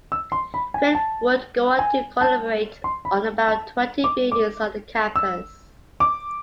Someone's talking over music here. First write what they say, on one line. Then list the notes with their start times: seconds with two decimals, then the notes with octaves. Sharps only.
Cret would go on to collaborate on about twenty buildings on the campus.
0.12 E6
0.32 C6
0.54 B5
0.74 G#5
0.95 A5
1.79 G#5
2.21 A5
2.84 C6
3.05 B5
3.48 A5
4.04 D6
4.32 D6
5.16 E6
6.00 D6